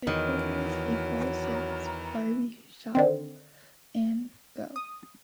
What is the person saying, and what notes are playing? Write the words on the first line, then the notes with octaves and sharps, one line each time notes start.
Headquarters, a full-service barber shop, and Go!
E2 D#3 E3 F#3
D3 D#3 C4
D#6